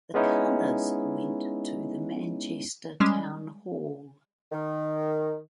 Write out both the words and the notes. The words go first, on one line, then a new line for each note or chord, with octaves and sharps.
The colours went to the Manchester Town Hall.
G#3 B3 C#4 D#4 E4
G3 G#3 C#4
D#3